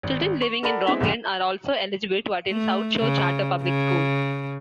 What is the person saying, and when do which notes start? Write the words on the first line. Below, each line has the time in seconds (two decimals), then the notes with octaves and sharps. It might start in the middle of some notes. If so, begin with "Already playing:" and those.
Children living in Rockland are also eligible to attend South Shore Charter Public School.
0.03 G#1
0.42 C#6
0.63 A4 A#4 D5 F#5 B5
0.87 G#3 B3 C4 E4 B6
1.00 C2 G#2 E3 G3 G4 D#7
2.51 A3
2.98 C#3
3.63 C#3